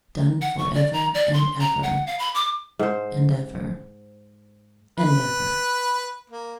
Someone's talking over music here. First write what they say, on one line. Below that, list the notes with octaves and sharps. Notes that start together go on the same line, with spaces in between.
"Done for ever and ever... and ever... and ever."
F#5
C#6
D5
A#5
D5
C6
A#5
F#5
F5
B5
D6
G#2 C5
B4
A#3